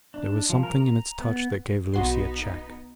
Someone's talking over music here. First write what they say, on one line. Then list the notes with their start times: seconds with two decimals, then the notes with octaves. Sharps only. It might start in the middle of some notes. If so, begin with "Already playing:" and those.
There was something in its touch that gave Lucie a check.
0.14 D4
0.50 F3
0.63 A#4
0.80 A#5
1.20 B3
1.94 B1 B3 D#4 F#4 C6